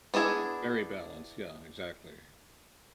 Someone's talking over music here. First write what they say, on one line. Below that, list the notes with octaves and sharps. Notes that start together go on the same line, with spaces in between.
very balanced. Yeah, exactly.
B3 D4 E4 G#4